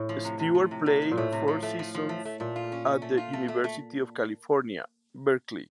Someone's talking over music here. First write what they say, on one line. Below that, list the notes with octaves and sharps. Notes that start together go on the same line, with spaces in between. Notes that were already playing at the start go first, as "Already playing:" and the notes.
Stewart played four seasons at the University of California, Berkeley.
Already playing: A2
F3
C3
C3
F3
C3
C3
F3
A#2
A2 A3
C3
F3
A3
F3
F3
A3
A3
A#2 A3
F4
C#4
C#4
A3
F4
A3
A3
A3